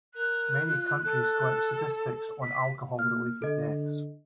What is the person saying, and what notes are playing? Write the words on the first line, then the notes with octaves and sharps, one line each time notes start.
Many countries collect statistics on alcohol-related deaths.
A#4 F#6
F4
A4
B6
A#3 F6
D3 A4 D#5